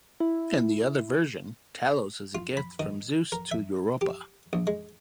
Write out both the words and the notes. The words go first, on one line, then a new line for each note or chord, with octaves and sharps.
In the other version, Talos is a gift from Zeus to Europa.
E4
F4
B5
D#3
A#4
E5
G4
A#1
G#3